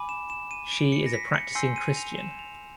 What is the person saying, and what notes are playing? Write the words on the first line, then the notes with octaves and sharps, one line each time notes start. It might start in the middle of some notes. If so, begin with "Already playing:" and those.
She is a practicing Christian.
Already playing: G#5 B5 D6
E7
E7
D#7
D7
C#7
A#6
B6
C#7
C#7
G#5 C6 E6 G6 C7
D#7
F7
E7
F7